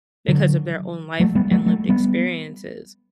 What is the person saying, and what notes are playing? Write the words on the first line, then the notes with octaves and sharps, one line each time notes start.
because of their own life and lived experiences,
D3 F#3
F#3 A3
G3 B3
F#3 A3
F#3 A3
G3 B3